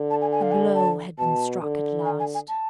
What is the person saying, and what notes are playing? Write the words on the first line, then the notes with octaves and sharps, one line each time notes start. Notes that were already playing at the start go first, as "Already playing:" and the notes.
The blow had been struck at last.
Already playing: D3
A5
G#5
G#5
F5
G#5
A5
B2 A5
D3
G#5
G#5
G#5
A5